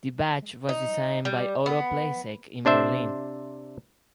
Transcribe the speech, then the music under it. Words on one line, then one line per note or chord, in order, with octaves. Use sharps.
The badge was designed by Otto Placzeck in Berlin.
D#4
G3
B3
C3 D4 C5 E5